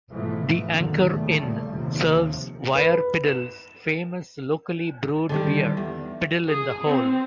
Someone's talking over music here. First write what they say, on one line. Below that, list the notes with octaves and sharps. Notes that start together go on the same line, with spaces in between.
The Anchor Inn serves Wyre Piddle's famous locally brewed beer 'Piddle in The Hole'.
G#2 B2 E3 F3 G#3 A3
E2 A#2 D3 D#3 F#3
A#2 C#3 G3 A3
D#2 C3 F3
B4
E7
D3 D#3 G3
E2
G#4
C4